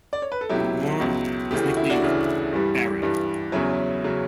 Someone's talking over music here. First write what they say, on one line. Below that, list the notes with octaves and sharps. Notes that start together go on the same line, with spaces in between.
The worm was nicknamed "Barry".
D5
C#5
B4
A4
C#2 B2 F#3 E4 G4
C#2 B2 F#3
D2 C#3 E3 G4
F#4
E4
D4 F#4
D2 C#3 E3
G2 E3 G3
G2 E3 G3
E2 C#3 F#3 C#4 E4
C#3 F#3